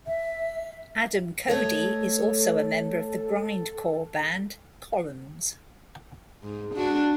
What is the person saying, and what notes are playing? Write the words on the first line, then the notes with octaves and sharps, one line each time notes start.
Adam Cody is also a member of the grindcore band Columns.
E5
A3 A4 C#5 D#5
G#2
D4 F#4